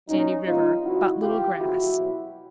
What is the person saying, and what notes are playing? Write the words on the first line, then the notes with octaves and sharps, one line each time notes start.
Sandy River.--But little grass.
C2 A#2 F#3 C#4 D#4
A#2 G3 C4 D#4 F4
C#2 C#3 E3 E4 F#4
C#2 C3 E3 F4 G4
F2 C#3 E3 G#3 E4 F#4
B2 F#3 B3